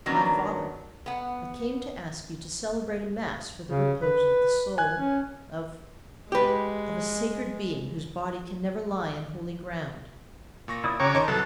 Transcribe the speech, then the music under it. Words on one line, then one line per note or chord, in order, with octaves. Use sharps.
"My father, I came to ask you to celebrate a mass for the repose of the soul--of--of a sacred being whose body can never lie in holy ground."
D#3 F#3 A#3 B3 C#4 D4
B3 F#5
C#3
B4
G#5 F#6
C#4
G#3 G4 B4
A#2 C#6 A#6
E4 D5 D#6
C#3 F#4 C#5 G5 A#5 D6
D#3 C5 D#5 A5 A#5
C2 F#3 A4 B4 F#5